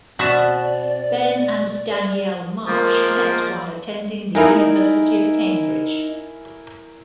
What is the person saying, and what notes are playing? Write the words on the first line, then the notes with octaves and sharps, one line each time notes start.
Ben and Danielle Marsh met while attending the University of Cambridge.
B2 C4 F#4 D5 E5 A5
F3 G#3 A#3
D#4 E4 A#4 G#5